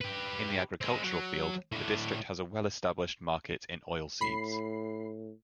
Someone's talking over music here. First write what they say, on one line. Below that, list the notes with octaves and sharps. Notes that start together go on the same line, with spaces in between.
In the agricultural field, the district has a well established market in oilseeds.
G4 B4
G#3 C4
F#3
A2 D4
A2 B5 C7